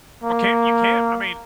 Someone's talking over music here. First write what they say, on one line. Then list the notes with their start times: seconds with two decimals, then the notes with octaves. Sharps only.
Well, can't you can't, I mean,
0.23 A#3